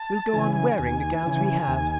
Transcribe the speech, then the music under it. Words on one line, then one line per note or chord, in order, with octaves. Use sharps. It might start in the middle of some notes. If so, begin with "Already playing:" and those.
We'll go on wearing the gowns we have.
Already playing: A5
C#3 E3 G#5
D#2 G#5
C#3 E3
D#2